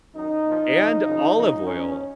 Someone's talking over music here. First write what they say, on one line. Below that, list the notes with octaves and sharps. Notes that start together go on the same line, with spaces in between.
and olive oil
F#2 D#3 D#4
A#2 F3
F2 C#3 F3
F#2 C#3 F3
F2 C#3 F3 D#4
F#2 F3 C#4